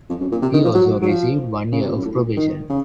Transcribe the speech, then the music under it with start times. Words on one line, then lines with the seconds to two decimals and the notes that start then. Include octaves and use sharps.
He also received one year of probation.
0.10 F2
0.21 F#2
0.32 A#2
0.42 C3
0.53 D#3
0.64 F3
0.75 F#3
1.02 F#3
1.08 F3
1.72 C#3
1.80 C3
1.88 A#2
1.96 F#2
2.05 A2
2.16 A#2
2.37 D#3
2.69 C#3